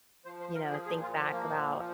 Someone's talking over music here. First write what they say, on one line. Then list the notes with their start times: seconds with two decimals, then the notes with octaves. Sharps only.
you know, think back about
0.25 F3 C5
0.40 C5
0.55 F3 A#4
0.71 G#4
0.86 A#2 G#4
1.02 F4
1.16 F3
1.32 A#3
1.48 A#2
1.78 F3